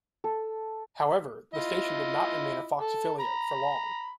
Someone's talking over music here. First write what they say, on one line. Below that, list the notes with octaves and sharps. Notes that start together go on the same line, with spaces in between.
However, the station did not remain a Fox affiliate for long.
A4
E4 F4 D#5
A4
A#5 B5